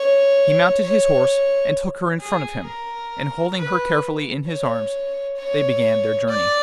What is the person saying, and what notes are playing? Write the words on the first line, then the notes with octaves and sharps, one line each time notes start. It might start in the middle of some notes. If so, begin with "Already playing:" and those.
He mounted his horse and took her in front of him, and, holding her carefully in his arms, they began their journey.
Already playing: C#5
C#5
G#4
A#4
B4
C#5
C#5
D5